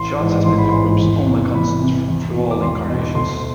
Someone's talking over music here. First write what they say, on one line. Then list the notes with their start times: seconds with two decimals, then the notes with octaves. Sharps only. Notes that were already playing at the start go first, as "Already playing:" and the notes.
Schatz has been the group's only constant through all incarnations.
Already playing: A1 C6
0.20 G#2 E3
0.46 A1 C6
0.58 B5
0.69 C6
0.74 G#2 E3
1.01 E2
1.27 C3 E3
1.54 E2 B5
1.81 C3 E3
2.08 E2
2.35 B2
2.51 D6
2.62 E2 C6
2.89 B2
3.15 D2 C6